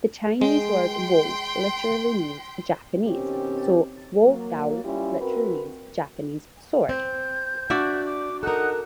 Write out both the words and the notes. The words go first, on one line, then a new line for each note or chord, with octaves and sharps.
The Chinese word "wo" literally means "Japanese", so "wodao" literally means Japanese sword.
G#3 G5 C6
B2 D#3 C4 C#4 G4
F#3 A#3
G3 C#4 E4 F4 G4
C4 F#4 A#4 B4
C4 G6
D4 F#4 D5 E5
D6
D#4 A4 A#4 F#5 F#6